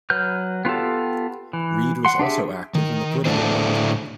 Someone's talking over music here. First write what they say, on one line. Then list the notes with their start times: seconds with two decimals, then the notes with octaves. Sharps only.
Reed was also active in the political world.
0.10 F#3 B4 F6 G6
0.65 B3 F4 G4 A4
1.53 E3
2.05 F#5 C6
2.19 D4 G4 G#4 E5
2.75 D#3
3.25 A2 D3 A3 C4 D4 C5